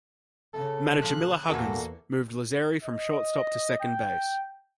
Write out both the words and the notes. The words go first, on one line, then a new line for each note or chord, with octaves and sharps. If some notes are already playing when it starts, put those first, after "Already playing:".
Manager Miller Huggins moved Lazzeri from shortstop to second base.
C#3 A4
A#2 F3 F#6
E2 A#2 A#3 F#4 A4
D#5
G5